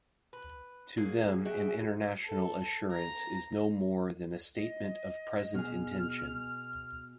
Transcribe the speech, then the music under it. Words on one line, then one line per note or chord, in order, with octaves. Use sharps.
To them an international assurance is no more than a statement of present intention.
B4
F#3 A#3 G#4
F#4 G#4 E5 G5
A4
A#5
D#5
B2 G#4 F6